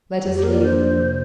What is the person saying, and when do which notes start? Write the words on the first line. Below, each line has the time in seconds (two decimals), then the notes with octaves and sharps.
Let us live.
0.25 F2
0.34 G4
0.43 A#3 A#4
0.52 D5
0.62 D4 C5
0.81 F3
0.99 C3